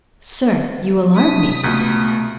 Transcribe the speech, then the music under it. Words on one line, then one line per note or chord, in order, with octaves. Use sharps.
"Sir, you alarm me."
C3 D4 D#6 B6
C#2 B2 A3